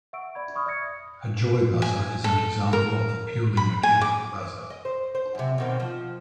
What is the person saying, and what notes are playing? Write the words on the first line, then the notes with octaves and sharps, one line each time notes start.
A joy buzzer is an example of a purely mechanical buzzer.
E5 F#5 C#6 E6 D7
D5 E5 B5 G#6
B5 C#6 D#6 F6
D5 E5 E6 G#6 A#6 C#7
G#5
A4
A#4
B5
G#5
D6
D#5
C5
C5
F#2 C3
B2 D#3 C4
F3